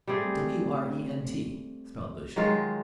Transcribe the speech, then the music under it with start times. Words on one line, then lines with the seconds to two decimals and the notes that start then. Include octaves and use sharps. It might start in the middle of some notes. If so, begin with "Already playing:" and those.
"W-r-e-n-t!" spelled Lucian.
0.07 G3 A3 C4 G#4
2.36 D#3 F#3 G#3 F4